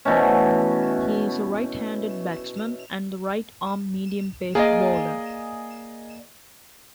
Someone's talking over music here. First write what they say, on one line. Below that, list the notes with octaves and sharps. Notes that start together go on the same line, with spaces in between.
He is a right-handed batsman and right-arm medium-pace bowler.
B2 E3 A3 C#4
A#3 G#4 D5 D#5 G#5